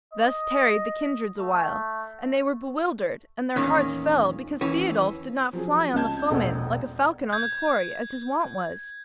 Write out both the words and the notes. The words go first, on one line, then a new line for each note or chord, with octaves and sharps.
Thus tarried the kindreds awhile, and they were bewildered and their hearts fell because Thiodolf did not fly on the foemen like a falcon on the quarry, as his wont was.
D#5
A3
E2 A#2 D#3 C#4
D#2 E3 C#4
F3 F#3 G#4
C#2 C#4 D#5 A5 G6 G#6
E1 A#1 B2 A4 D#5 F#5
G6 G#6